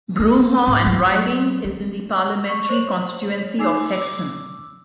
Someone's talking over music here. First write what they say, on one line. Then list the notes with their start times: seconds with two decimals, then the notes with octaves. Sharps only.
Broomhaugh and Riding is in the parliamentary constituency of Hexham.
0.20 D4
0.67 G#2
0.86 F#3
1.65 D#4
2.49 C#6
2.69 C5 C#5 F#7
3.59 D#4 G#5 D6 E6 C7
3.92 D6 E6